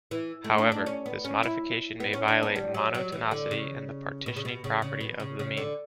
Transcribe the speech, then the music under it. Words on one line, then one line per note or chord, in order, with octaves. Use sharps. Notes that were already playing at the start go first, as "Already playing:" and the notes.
However this modification may violate monotonicity and the partitioning property of the mean.
E3
A3
D4
D4
C#4
B3
C#4
E4
B3
C#4
D4
B3
G3
F#3
F#3
E3
D3
C#3
B2
C#3
B2
C#3
C#3
B2
C#3
C#3
D3